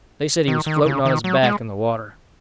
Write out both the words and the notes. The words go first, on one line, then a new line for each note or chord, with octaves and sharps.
They said he was floating on his back in the water.
D#3
D#3
C#3
D#3
F#3
G#3